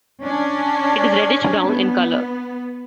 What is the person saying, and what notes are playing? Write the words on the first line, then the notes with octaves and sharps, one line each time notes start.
It is reddish-brown in color.
C#4 D4
B3